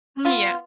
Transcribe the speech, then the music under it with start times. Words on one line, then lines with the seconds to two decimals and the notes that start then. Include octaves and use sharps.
Mm. Yeah,
0.25 B3 F4